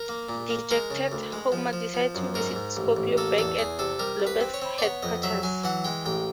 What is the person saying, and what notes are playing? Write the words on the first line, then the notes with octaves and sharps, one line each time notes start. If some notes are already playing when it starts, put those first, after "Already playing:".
Dejected, Homer decides to visit Scorpio back at Globex Headquarters.
Already playing: A#4
A#3
A#2
A#3
G#3 A#4
C#3
D2
G#3
F3
F3
F3
F#2
G#2 A#4
G#2
A1
A1
A#3 A4
E2 A4
E2 G#4
C3 A4
G3 A#4
C2
B4
C4
C#5
C4
D5
B3 C#5
F2 D#5
F#3 E5
F#3 G#5
E3 F#5
G#3 G5
A1 G5